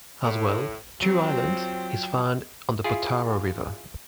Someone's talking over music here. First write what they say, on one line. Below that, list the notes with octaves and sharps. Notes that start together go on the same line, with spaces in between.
As well, 'Two Islands' is found on the Potaro River.
A2
F#3 C4 F4 G5
E4 F4 G#4